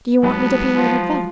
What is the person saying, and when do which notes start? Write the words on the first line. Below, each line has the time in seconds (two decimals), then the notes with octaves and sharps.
Do you want me to pay you in advance?
0.23 D#2 F#3 G#3 B3 B4 A5
0.76 F3